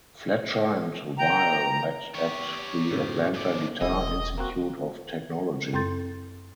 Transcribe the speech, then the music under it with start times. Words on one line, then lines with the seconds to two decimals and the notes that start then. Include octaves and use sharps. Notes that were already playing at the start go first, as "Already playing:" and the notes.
Fletcher and Weil met at the Atlanta Guitar Institute of Technology.
1.18 G5 A#5
2.14 G4 C#5
2.91 F#2 A2
3.34 C#3 D5
3.81 E1 G#3 E4 D#5
4.38 A#3 C4 F#4
5.73 F#2 C4 A4 C6 G6 A6